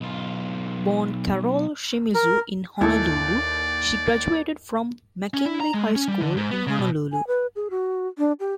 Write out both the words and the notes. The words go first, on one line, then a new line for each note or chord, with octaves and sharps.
Born Carole Shimizu in Honolulu, she graduated from McKinley High School in Honolulu.
B1 F4
A#4
D#2 E4 A4 D5 G#5
C#4
E4
A#5
G#3
C#4
G3
D3
G#2
B3
C#3
B2
G#5
B4
G#4
F#4
D4
G4